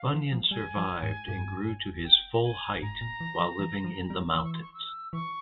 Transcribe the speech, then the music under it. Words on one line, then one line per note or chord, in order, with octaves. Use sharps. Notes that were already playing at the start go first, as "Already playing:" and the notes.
Bunyan survived and grew to his full height while living in the mountains.
Already playing: F5
E3
F3
G3 G#5
F3
G#2
G2
G5
A#5
G#5
G#2 A#5
A#2
E3
F3
E3
F3
G3
E3 E6
C#6
C6
C#6
E6
E3 C#6